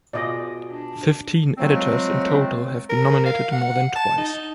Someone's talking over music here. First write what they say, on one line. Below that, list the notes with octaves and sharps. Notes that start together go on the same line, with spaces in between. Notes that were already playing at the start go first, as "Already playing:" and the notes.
Fifteen editors in total have been nominated more than twice.
B2 F4 G#4 D5 D#5
D4
F3 F#3 G#3 A3 C4
A#4
F5
F#5
A5
D#4